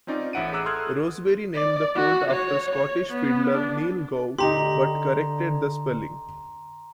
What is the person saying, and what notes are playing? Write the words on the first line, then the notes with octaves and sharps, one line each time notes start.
Rosebery named the colt after the Scottish fiddler Niel Gow but "corrected" the spelling.
C4 C#4 D#4 F4 D5
A1 A2 E5 F#5 D7 D#7
G#4 A#5 D6 E6 F#6
A4 C6 D#6 F6 F#6 G#6
D5
F#4
C#5
C#5
B3
D4
D3 D#4 G4 A#5 C6